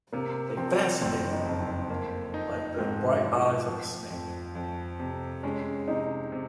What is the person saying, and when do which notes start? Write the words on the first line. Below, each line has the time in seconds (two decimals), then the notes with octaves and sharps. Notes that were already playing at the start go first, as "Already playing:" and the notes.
They fascinated me like the bright eyes of a snake.
0.13 C3 A#3
0.57 F3 C4
1.01 F#1 C4
1.31 D#4
1.45 F2
1.60 C4
1.90 A#3
2.34 D#4
2.78 G#2 C4
3.23 F3
3.66 F3
4.10 F2
4.55 F2
5.00 C3
5.43 G#3 C#4
5.88 C3 D#4
6.32 C3